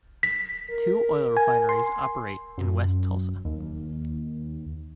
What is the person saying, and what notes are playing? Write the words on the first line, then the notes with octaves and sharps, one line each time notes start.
Two oil refineries operate in West Tulsa.
B6
A#4
G#5
C6
F#2
D#2